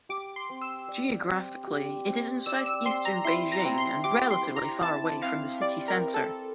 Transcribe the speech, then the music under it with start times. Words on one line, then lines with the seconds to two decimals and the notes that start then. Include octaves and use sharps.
Geographically, it is in southeastern Beijing and relatively far away from the city centre.
0.09 G4 D6
0.36 C6
0.50 C4
0.62 E6
0.88 D5
1.28 C4
1.67 G4
2.07 C4
2.46 D5 E6
2.66 E6
2.85 C4 C6
3.05 A#5
3.24 E4 C6
3.52 A#5
3.65 C4
3.78 C6
4.04 G4 D6
4.31 C6
4.43 C4
4.56 A#5
4.83 E4 A5
5.22 C4 F5
5.61 G4 D5
5.88 A#4
6.01 C4
6.14 A4